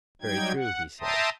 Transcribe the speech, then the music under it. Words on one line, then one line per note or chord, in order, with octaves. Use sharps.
Very true, he said.
F#3 G3 D#4 G5 G#6
F#5
E5 G5 A5 A#5 C6 D#6